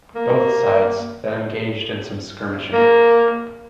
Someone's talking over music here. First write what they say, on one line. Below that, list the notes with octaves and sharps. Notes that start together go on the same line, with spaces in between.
Both sides then engaged in some skirmishing.
A#3
A#3